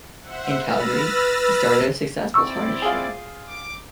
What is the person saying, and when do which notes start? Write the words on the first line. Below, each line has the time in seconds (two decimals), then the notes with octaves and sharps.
In Calgary, he started a successful harness shop.
0.22 C5 E5 F#5
0.58 B4 B5 E6 F6 A6 A#6
2.34 C4 E4 D5 C#6 E6
2.82 F4 G#4
3.47 D6